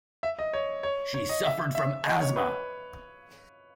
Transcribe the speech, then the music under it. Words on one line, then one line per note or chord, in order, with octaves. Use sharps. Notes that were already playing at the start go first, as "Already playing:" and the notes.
She suffered from asthma.
E5
D#5
C#5
C#5
C#5
D#5
E5
E5
D#5
C#5
B4